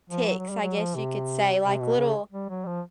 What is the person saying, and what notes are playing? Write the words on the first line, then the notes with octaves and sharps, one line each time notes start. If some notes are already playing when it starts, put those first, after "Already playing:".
ticks, I guess you could say, like, little
F3
F#3
F#3
G3
F#3
F3
C3
C3
B2
C#3
G3
F#3
F3